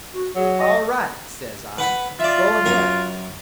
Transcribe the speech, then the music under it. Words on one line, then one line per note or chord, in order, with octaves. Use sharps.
"All right," says I, "go ahead."
F#4
F#3 G#4
D#5
B4 F#5 B5
F4 D5 E5
F#2 A#4 G#5